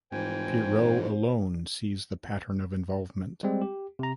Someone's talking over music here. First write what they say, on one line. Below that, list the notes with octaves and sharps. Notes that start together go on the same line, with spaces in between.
Poirot alone sees the pattern of involvement.
F1 G#2 E3 C5 G5 G#5
G3 G#3 C4
G4
C3 A#5